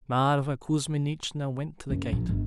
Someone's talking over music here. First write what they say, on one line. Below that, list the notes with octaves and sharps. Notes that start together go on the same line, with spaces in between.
Mavra Kuzminichna went to the gate.
F#1
A#1
G1